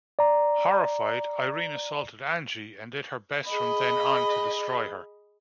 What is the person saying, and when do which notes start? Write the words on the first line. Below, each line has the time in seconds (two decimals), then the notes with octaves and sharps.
Horrified, Irene assaulted Angie and did her best from then on to destroy her.
0.19 D5 A#5
3.46 G#4 D#5 B5